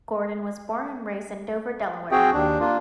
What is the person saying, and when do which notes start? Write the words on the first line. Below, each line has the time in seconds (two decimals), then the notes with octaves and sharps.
Gordon was born and raised in Dover, Delaware.
2.11 C4 F#4 G#4 G5
2.33 D#2 D4
2.60 A#3 D4 F4